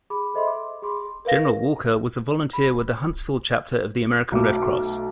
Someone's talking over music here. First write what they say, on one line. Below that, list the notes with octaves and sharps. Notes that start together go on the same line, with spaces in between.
General Walker was a volunteer with the Huntsville Chapter of the American Red Cross.
G#4 B5 D6
A4 C5 D#5 E5 B5 C6
D6
G#4 B5 C6 D6
A#4 B4 F5 A#6
B5
B1 A3 D6